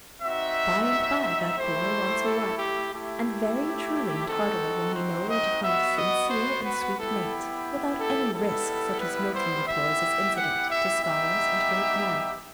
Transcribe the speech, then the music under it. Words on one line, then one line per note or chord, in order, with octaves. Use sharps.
By and by that boy wants a wife, and very truly and heartily will he know where to find a sincere and sweet mate, without any risk such as Milton deplores as incident to scholars and great men.
C4 D#4 F#4 E5
A3 E4 G4 C5
A4
G4
A3 E4 G4
C4 D#4 F#4 A4
C5
D#5
B3 F#4 E5
D#5
C5
B4
B3 E4 G4 A4
A4
G3 B3 E4 A4
B4
C5
B3 E4 G4 E5
F#5
E5
B3 D#4 G4 E5